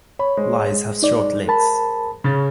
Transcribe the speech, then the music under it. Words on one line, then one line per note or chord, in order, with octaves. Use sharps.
Lies have short legs.
C#5 B5
G#3 C5
D#4 D5
A#4 A5 B5
C#3 C#4 A6